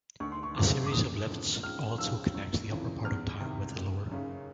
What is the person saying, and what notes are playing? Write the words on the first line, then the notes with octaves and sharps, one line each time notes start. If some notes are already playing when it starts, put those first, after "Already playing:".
A series of lifts also connects the upper part of town with the lower.
D2 C#6
C6
C#6
C3 F3 G#3 D6
D6
F#1 D#6
F2 D3
C#2 F6
C#3 F3 E6
G1
F2 C#3 E3
E2 F6
C3 D#3
F#1
F#2 C#3